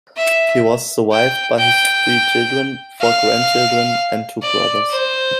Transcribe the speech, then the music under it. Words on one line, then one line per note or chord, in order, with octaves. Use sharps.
He was survived by his three children, four grandchildren, and two brothers.
E5
G5
G5
F5
D5
C5